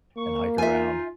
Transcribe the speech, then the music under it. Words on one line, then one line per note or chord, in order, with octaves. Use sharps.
and hike around.
A#3 C#6
D#4 F4 E5 G#5